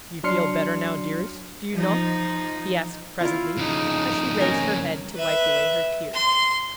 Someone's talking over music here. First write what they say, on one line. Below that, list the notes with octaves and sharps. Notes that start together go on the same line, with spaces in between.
"You feel better now, dearest, do you not?" he asked presently, as she raised her head to wipe away her tears.
F#3 D4 C6 F6 C7 C#7
F3 D#4
E4 F4
F2 C#3 D#4
C#4 A#4
B4 E5
C6